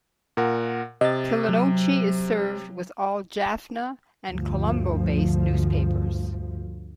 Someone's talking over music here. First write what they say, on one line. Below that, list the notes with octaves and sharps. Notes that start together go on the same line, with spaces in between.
Kilinochchi is served with all Jaffna- and Colombo-based newspapers.
A#2 A#4 F#5
C3 D#5 A6
F#3
D2 G2 F3